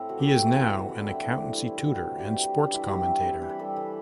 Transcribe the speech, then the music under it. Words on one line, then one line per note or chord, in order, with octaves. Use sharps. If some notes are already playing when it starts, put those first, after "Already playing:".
He is now an accountancy tutor and sports commentator.
Already playing: A2 A3 C4 A4
E3 F#4
G4
C4 F#4
A3
A2
E3 F#4
E4
C4 D4
A3 E4
A2
G3 E4
E3
C4 F#4
E3
G3 G4
E3
C4
D4
E3 E4
F#4
G3 G4
E3
C4
E3
B4
G3 A4
E3